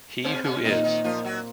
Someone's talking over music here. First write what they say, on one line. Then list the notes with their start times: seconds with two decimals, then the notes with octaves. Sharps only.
"He Who Is".
0.24 C#3 C4 C#4
0.44 C#3 C#4
0.64 A#2 D#3 D#4
0.84 D#3 D#4
1.04 F3 A#3 F4
1.25 F#3 F#4